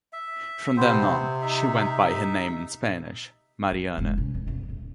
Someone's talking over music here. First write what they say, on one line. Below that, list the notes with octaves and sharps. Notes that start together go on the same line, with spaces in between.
From then on, she went by her name in Spanish, "Mariana".
E5
C3 B3 C4 C5
D#4 E5
F3
F1 G#2
C3 C#4
F2
F#1 E2
D#1